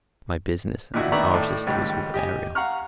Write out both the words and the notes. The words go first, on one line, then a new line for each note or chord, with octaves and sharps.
My business as an artist was with Ariel.
A#2 D#3 D4 E4 F#4
D#3 B3 D5 E5 A#5 C#6
A2 A3 D5
C#2 G#2 D#3 G3
G4 D#5 G#5
F5 F#5 A#5 C#6 F6